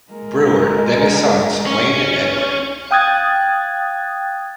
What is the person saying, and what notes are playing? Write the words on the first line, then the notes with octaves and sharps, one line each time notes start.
Brewer, then his sons, Wayne and Edward.
G#3 A#4
C#4
F5 G5 D#6 F#6 G#6 A6